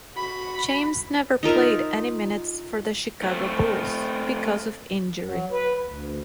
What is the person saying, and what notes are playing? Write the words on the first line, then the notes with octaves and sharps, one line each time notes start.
James never played any minutes for the Chicago Bulls because of injury.
F#4 B5
D#4 F4 A#4 E5
A3 C4
F#3
B4
D2